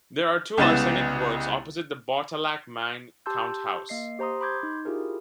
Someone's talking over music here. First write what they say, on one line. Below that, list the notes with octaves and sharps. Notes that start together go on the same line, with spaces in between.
There are two arsenic works opposite the Botallack Mine count house.
C2 C#3 G#3 B3 A6 E7
G4 A5 C6 E6 G6
A#3 D#5 C7
G4 C5 A#5 C6 D#6
B5 C6 D6 G6 G#6
D#4
E4 F4 G4 G#4 A#4